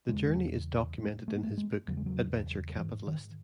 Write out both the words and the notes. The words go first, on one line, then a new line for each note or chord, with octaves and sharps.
The journey is documented in his book Adventure Capitalist.
E2 C#3 G#3
G#2 A3
A3
B3
A3
G#3
E2 C#3 F#3
G#3
F#3
G#2 E3
D#3